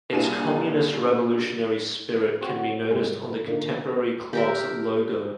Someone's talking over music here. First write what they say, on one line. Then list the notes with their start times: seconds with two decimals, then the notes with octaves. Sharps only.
Its communist revolutionary spirit can be noticed on the contemporary club's logo.
0.12 C2 A#2 D4 G#4 D#7 E7
2.41 C4 F#4 C#5
2.91 G#2 C3 G3 G#3
3.47 A#2 D3 D#3 A#3
4.33 G4 A#4 E5